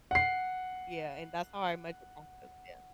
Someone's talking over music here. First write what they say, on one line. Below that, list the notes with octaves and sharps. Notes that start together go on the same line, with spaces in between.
Yeah, and that's how I measure progress, yeah.
F#5 C7